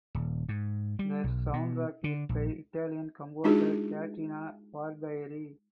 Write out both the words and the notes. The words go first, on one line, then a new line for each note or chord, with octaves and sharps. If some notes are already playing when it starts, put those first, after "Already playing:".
The soundtrack is by Italian composer Caterina Barbieri.
D#1
G#2
G3
B1
B2
D3
A#1
G#3 D4 D#4 F4 F#4 G#4